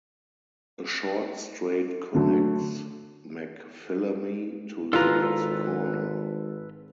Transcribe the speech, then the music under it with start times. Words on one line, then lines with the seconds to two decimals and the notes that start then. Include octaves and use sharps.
A short straight connects McPhillamy to the next corner.
2.15 D3 F#3 A3
4.93 G#1 E3 F4 A4 B4 A#5